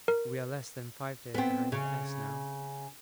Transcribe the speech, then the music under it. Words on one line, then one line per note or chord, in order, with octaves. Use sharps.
We are less than five days behind S. now.
A#4
B3 C4
C#3